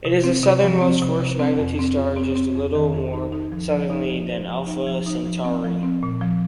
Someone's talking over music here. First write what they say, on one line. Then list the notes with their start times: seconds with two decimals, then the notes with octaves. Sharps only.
It is the southernmost first-magnitude star, just a little more southerly than Alpha Centauri.
0.05 C3
0.24 C4
0.43 C3
0.63 F3
0.81 C4
1.02 C3
1.21 C3
1.39 C4
1.59 F2
1.79 C4
1.98 F2
2.17 C4
2.36 C4
2.55 F2
2.75 D#3
2.94 F2
3.13 D#4
3.32 D#4
3.52 F3
3.71 F3
3.90 D#4
4.10 F3
4.29 C5
4.49 F3
4.67 D#4
4.87 F3
5.06 D#4
5.25 F3
5.45 C4
5.64 F3
5.83 C4
6.03 A#2
6.21 F3